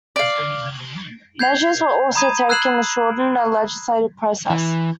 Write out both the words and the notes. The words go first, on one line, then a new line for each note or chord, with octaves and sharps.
Measures were also taken to shorten the legislative process.
D5 F5
G6 G#6 C7 F7
A#5 B5 D#6 G#6 D#7
E6 F#6 G#6 C7 E7 F#7
E3